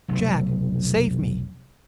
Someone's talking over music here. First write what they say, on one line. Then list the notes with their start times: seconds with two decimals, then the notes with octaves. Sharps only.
Jack! save me!'
0.08 F1 B1